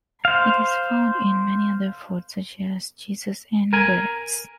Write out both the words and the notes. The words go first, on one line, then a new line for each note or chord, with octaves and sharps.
It is found in many other foods, such as cheeses and breads.
C5 F5
A#4 G#5